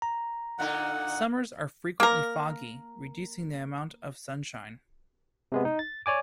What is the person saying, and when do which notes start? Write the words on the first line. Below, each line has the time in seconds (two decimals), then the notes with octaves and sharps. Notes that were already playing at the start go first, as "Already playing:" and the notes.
Summers are frequently foggy, reducing the amount of sunshine.
0.02 A#5
0.59 A#2 D3 D#4 F#5
2.00 A#3 A#4
5.52 C3 G#3 B3
5.65 D#4
5.79 A6
6.06 C#5 D5 G#5 D6